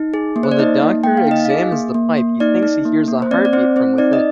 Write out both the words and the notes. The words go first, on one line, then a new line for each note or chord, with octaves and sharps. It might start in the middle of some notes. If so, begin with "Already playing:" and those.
When the Doctor examines the pipe, he thinks he hears a heartbeat from within.
Already playing: D#4
G#4
A#3
C5
D5
D#4 D#5
A#3
A#3 G5
F5
D#4 D#5
G#4 F5
A#3
A#3
A#3
D#4 D5
D#4
A#3
A#3
C5
C4 D5
D5
C4 C5
C4 C5
D#4 D5
D#5